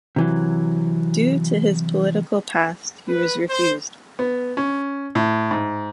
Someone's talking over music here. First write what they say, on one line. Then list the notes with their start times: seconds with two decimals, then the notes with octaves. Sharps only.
Due to his political past, he was refused.
0.16 C3 E3 F#3
3.08 B4
3.50 C5
4.19 B3
4.57 C#4
5.15 A2
5.51 G#2